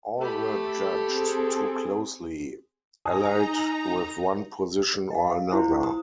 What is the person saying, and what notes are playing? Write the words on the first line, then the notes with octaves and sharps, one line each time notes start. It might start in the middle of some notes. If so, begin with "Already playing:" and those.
All were judged too closely allied with one position or another.
A3 G4 A4 B5
C4 G#4
D#4 G#5 A#5 D#6
D#5 F5
E4 F4 C5
C5 D#6